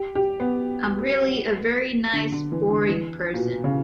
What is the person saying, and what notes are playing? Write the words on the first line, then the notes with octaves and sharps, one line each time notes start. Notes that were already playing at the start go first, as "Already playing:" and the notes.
I'm really a very nice, boring person.
Already playing: G4
G4
B3
D3
D3
E3
D3
E3
A#2
B2
C#3